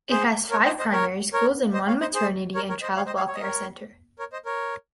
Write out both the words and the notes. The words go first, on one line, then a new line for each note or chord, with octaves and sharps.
It has five primary schools and one maternity and child welfare centre.
G#4 C5
A#4 C#5
C5 D#5
C5 D#5
A#4 C#5
A#4 C#5
C5 D#5
C#5 F5
C5 D#5
G#4 C5
A#4 C#5
A#4 C#5
C5 D#5
C#5 F5
C5 D#5
C#5 F5
C#5
D#5
A#4 C#5
A#4 C#5
C5 D#5
A#4 C#5